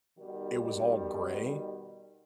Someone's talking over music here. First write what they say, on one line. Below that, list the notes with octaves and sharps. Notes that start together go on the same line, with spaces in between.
it was all gray,
B2 D#3 G3 D#4 F#4